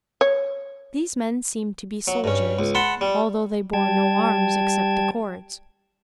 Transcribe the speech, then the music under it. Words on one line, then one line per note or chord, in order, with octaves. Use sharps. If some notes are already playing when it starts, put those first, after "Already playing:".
These men seemed to be soldiers, although they bore no arms except the cords.
C#5
F#3
G2 C#4
C#2
F#5 A5 B5 C6
G3
G3 G5 A5 G#6